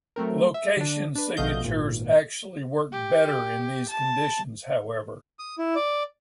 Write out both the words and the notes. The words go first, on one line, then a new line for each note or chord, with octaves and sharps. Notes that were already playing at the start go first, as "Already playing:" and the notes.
Location signatures actually work "better" in these conditions however.
F#3 A3 C4 A#4
E5
D3 D4
D4 B4
A#1 B2 A3 D#5 F5 G6
G#1 A#2
G4
A5
D#6
E4
D5